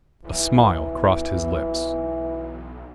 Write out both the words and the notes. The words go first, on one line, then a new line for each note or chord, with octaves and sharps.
A smile crossed his lips.
B1 E3